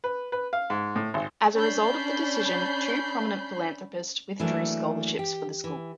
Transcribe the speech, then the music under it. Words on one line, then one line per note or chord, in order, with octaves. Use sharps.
As a result of the decision, two prominent philanthropists withdrew scholarships for the school.
B4
B4
F5
G#2
A2
G#1
C#4 D4 B5 G6 C7
E3 F#3 A3 A#3 D4
G4
E3